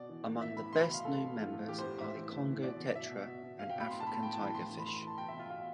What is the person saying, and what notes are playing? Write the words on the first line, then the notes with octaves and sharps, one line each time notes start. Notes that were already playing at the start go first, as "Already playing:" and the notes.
Among the best known members are the Congo tetra, and African tigerfish.
Already playing: B2 D5
E3
E3
A2 E5
E3 B5
B2 C6
B5
B2
F5
B2 A4
B2
E3 F4
A2
E3 G4
C5
A2
A2 E5
E3
A2
E3
B2 D5
B2
B2 E5
B2
B2
B2
B2 F5
G5
B2
B5
A2 C6
A5
A2 B5
A2 G5
A5
E3
B5
A2 C6
E3
B5
E3 C6
B5
E3 A5
B2 G5
E5
B2
F4
B2 F4